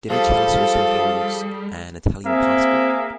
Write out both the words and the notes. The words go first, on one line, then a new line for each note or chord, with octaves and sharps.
Demichelis also holds an Italian passport.
F3 G3 G#4 A4
A#3 C4 G#4 E5